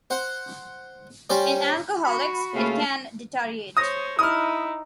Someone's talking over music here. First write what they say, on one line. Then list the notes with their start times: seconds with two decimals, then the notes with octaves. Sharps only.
In alcoholics, it can deteriorate.
0.10 C5 F#5
1.30 G3 C#4 C5 D5
2.05 F#4 B5
2.54 C#3 A3 A#3 F4
3.77 C5 C#5 D#6 A#6
4.19 D#4 E4 D#6 F6